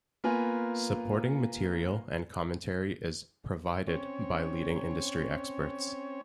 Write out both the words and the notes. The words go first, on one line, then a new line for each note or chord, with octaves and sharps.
Supporting material and commentary is "provided" by leading industry experts.
A#3 B3 F4 B4 G#5
C4 C#4 C#5